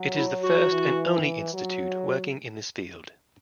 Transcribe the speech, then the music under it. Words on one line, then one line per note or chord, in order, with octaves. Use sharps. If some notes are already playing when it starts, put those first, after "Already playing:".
It is the first and only institute working in this field.
Already playing: F#3
E4
F#4
E3
F#3